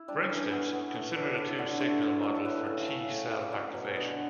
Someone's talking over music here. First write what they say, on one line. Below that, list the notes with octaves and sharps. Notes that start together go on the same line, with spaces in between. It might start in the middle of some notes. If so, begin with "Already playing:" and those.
For instance, consider the two signal model for T cell activation.
Already playing: E4
G3 D4
C#4
E3
C#4
A3 B3
A3 B3
A3 C#4
A2 D4 E4
D3 E4
D3 F#4
A3 C#5
A3 A4
A2 A4
A4
A2 B4
C#3
C#3
A2
A2
D5
F#3 C#5
C#5
B2
C#4
D3 B3